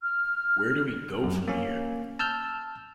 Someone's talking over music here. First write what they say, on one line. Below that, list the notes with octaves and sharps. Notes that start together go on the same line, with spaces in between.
Where Do We Go from Here?
F6
F#2
A#3 C#4
A5 E6 F6 G6